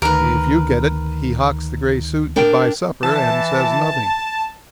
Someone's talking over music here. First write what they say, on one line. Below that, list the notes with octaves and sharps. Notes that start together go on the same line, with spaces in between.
If you get it he hocks the gray suit to buy supper and says nothing.
D2 D#3 A#4 B4
D4 A#4 G5
E3 A5